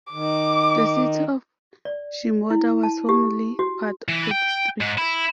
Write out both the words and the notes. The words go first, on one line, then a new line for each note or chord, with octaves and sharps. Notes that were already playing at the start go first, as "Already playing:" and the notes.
The city of Shimoda was formerly part of the district.
D#3 D6
D5
E4
A5
G4
F#4
E3
G5
G#2
E4